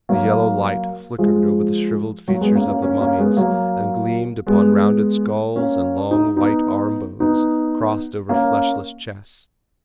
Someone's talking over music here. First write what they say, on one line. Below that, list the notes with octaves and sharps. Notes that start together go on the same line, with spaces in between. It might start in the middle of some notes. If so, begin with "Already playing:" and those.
The yellow light flickered over the shrivelled features of the mummies, and gleamed upon rounded skulls and long, white armbones crossed over fleshless chests.
F#3 A#3
F3 G#3
F#3 A#3
G#3 B3
A#3 C#4
A#3 C#4
A#3 C#4
A#3 C#4
G#3 B3
F#3 A#3
G#3 B3
A#3 C#4
D#4
B3 D#4
B3 D#4
A#3 C#4